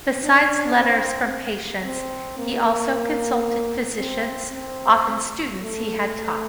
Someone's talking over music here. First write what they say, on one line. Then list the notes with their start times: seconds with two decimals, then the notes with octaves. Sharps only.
Besides letters from patients, he also consulted physicians, often students he had taught.
0.23 D4
0.76 C4
1.84 C4
2.38 A#3
4.00 C4
4.54 C4
5.62 A3
6.16 A3